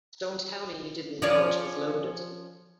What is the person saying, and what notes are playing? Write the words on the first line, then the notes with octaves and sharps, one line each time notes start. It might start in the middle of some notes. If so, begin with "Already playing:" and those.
Don't tell me you didn't know it was loaded.
F3 C#4 D5